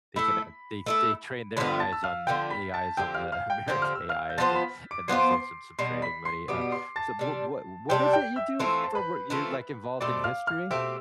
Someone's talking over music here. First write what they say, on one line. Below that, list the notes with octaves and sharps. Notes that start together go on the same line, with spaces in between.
they can they they train their eyes on AIs on the American AIs and and that saves them some training money. Uh, so what what what is it you do for wor you're, like, involved in history?
A3 E4 A4 B5 B6
A3 E4 A4
D3 F3 B3 F4 B5 B6
A5 A6
E6
F5 F6
D3 F3 B3 F4 G5 G6
B5 B6
A5 A6
D3 F3 C4 G4 G5 G6
F5 F6
F5 F6
G5 G6
D3 F3 C4 G4 G6
F6
E6
F5 F6
G6
F3 B3 F4 C5 A5 A6
B5 B6
D6 D7
F3 B3 F4 C5 C7
D7
C6 C7
B2 G3 B3 C6 C7
B5 B6
C6 C7
B2 G3 B3 D6 D7
D7
C6 C7
A5 A6
C3 G3 D4
C3 G3 D4 G5 G6
G5 G6
E5 E6
E3 A3 C4 F4 C5 C6
A5
B4 B5
E3 A3 C4 F4
B2 A3 C4 G4 D5 D6
F5 F6
F5 F6
B2 A3 C4 G4 E5 E6